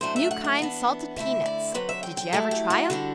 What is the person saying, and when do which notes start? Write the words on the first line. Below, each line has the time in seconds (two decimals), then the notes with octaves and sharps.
NEW KIND SALTED PEANUTS Did you ever try them?
0.01 A2 F#3 A3 D4 C5
0.16 E5
0.31 F#5
0.44 F#5
0.59 E3 B3 D4
1.16 D3 A3 E4 E5
1.46 D5
1.74 D3 F#3 C4 B4
1.89 E5
2.03 G5
2.17 G5
2.33 F#3 A3 E4 A4
2.51 G4
2.70 F#4
2.90 D3 G3 D4